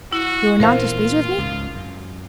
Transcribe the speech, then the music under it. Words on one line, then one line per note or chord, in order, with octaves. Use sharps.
"You are not displeased with me?"
E4 F#4
A#2 E3 B3 F4 A#4 C5 F5
C#2 G#2
F#2